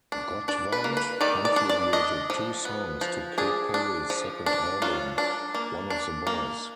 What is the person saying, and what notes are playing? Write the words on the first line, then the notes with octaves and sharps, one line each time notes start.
Gottwald contributed two songs to Katy Perry's second album,"One of the Boys".
D4
D4 D5
B4
A#3
B4
D#3 D5
D5
D4
D5
D4 D#5
F3
B3
F3
D4 G#4
D4
F3
D4
F#3 F4
D4
A#3
D4
A#3